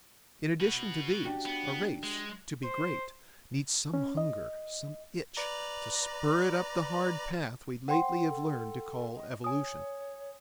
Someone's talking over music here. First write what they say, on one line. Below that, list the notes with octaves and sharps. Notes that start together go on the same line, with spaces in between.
In addition to these, a race, to be great, needs some hunger, some itch, to spur it up the hard path we lately have learned to call evolution.
F#4 B4
D4 F#4 G4
B3
G#3
C5
C#4
D#5
B4 D5 A#5
C5 F#5 G5 C6
A4
D#5
C#5 G#5 D#6